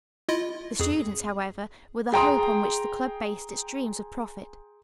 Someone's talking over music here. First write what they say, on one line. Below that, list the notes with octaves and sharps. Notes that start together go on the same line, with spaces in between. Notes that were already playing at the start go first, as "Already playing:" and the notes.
The students, however, were the hope on which the club based its dreams of profit.
E4 F4 D#5
F2 G#4
G#4 G5 A#5 C6 D#6